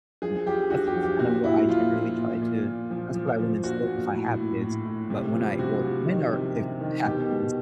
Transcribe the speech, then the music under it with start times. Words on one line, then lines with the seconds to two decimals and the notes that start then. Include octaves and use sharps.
and that's that's kind of what I generally try to that's what I wanna instill, if I have kids, but when I or when or if I have kids,
0.22 F3 G#4
0.46 F3 G4
0.70 F3 F#4
0.87 G4
0.96 F3
1.03 G4
1.19 A#2 F#4
1.44 A#2 E4
1.68 F3 F4
1.92 A#2
2.17 A#2
2.42 A#2
2.66 A#2
2.90 F3
3.14 F3
3.39 F3
3.64 A#2 F#4
3.87 A#2
4.12 A2
4.37 A2
4.61 A2
4.85 A2
5.10 C3
5.34 F3
5.59 C3 F#4
5.84 F3
6.08 D#3
6.32 C3
6.56 C3
6.81 D#3
7.05 B2 G4
7.29 B2